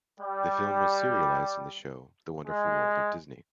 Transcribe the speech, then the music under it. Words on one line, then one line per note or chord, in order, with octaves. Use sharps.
The film was serialized in the show "The Wonderful World of Disney".
G3
G#3